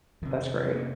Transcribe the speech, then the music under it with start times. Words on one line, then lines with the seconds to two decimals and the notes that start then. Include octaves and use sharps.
That's great.
0.22 F2 C3 D#3
0.55 F3
0.65 F3 G#3
0.72 C4
0.75 A#3 C#4